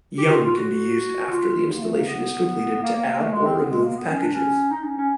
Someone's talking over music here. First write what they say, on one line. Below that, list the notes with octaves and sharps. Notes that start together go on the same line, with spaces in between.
Yum can be used after the installation is completed to add or remove packages.
G4
F4
F4
F#4
F4
B3
A#3
A3
A#3
B3
A#3
A#3
A#3
A3
G#3
C4
B3
G#3
A#3
B3
C#4
D4
C#4
D#4
C#4
C#4